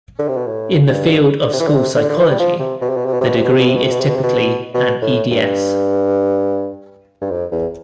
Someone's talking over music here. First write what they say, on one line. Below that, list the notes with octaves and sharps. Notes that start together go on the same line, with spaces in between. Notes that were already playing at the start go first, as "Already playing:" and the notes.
In the field of school psychology, the degree is typically an Ed.S.
D3
C3
B2
A2
G2
D3
C3
E3
D3
C3
D3
D3
E3
G3
F3
C3
B2
C3
B2
C3
B2
C3
B2
C3
B2
C3
B2
C3
B2
C3
B2
C3
B2
C3
B2
B2
A2
G2
G2
F2
E2